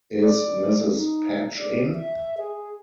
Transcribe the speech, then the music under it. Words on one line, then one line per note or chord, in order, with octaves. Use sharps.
Is Mrs. Patch in?
D5
D#4
D5
E5
G#4